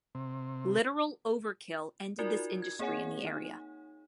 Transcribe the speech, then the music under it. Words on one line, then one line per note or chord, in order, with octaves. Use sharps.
Literal overkill ended this industry in the area.
C3
D#4 F4 F#4 A#4 D5
G#6
A#3 C4 G#4 C#5 F#5 G#5
D#4